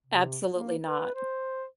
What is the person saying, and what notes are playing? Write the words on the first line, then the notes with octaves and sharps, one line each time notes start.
Absolutely not.
C3
A#3
B4
C5